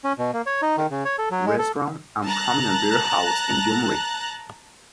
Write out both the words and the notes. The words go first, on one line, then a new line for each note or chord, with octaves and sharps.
Restaurant and prominent beerhouse in Gyumri.
C#4
B2
A#3
C#5
D#4
D#3
C#3
C#5
A4
F#3
G#3
A4
A5 A#5 F#6